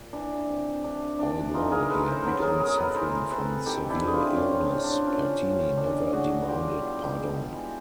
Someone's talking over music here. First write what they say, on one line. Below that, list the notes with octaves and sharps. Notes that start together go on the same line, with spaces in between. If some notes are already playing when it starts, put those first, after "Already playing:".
Although he had begun suffering from severe illness, Pertini never demanded pardon.
Already playing: A#2
E3 D4
C3
A3 D4
E3 D4
E3 D#4 F4
G#4 A#4
A#4
C#3 A4 B4
A#4 C5
F#3 A4 B4
G#4 A#4
B2 G#4 A#4
A4 B4
E3 A#4 C5
C3 A4 B4
D#3 G4 A4
D4 E4
C3
G#4
F4 G4
F3 C#4
D4
A2
D4
F3 C#4
D3
E3 D4
A2 F#4 G#4
G3 F4 G4
B2
G#3
E3